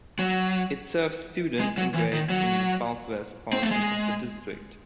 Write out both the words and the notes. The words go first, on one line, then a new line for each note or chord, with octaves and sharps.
It serves students in grades in the southwest portion of the district.
F#3
G#3
F#3
E3
D#3
F#3
C4
A3
G#3